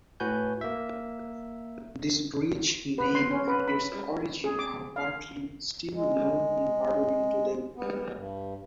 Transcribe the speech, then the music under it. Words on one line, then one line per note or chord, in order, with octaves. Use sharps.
This bridge name and its origin are partly still known in Berlin today.
A2 F#4 B4 G#5 G6
A#3 E5
B4
C6
C#4
B4
B5
G#4
D6
F5
G#3
B3
G2